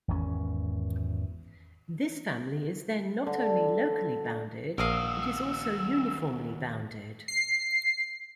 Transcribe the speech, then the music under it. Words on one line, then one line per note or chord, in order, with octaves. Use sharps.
This family is then not only locally bounded, it is also uniformly bounded.
G#1 E2 B2 C#4
D3
A#1 D#2 F#4 A#4 D#5 F5 E6
C7